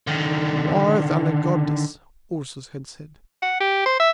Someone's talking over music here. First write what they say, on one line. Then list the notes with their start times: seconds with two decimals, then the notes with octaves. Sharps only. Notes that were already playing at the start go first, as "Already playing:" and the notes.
"More than a goddess," Ursus had said.
0.07 D3 D#3
3.42 F#5
3.61 G4
3.86 C5
4.00 E5